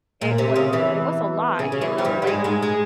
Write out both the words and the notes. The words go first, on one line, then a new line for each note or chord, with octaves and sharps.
it wa it was a lot, you know, like,
A#2
C3
C#3
E2 E3
C#3
C#3
E2 E3
F3
G2 G3
G3
G#2 G#3
G#2 G#3
G#3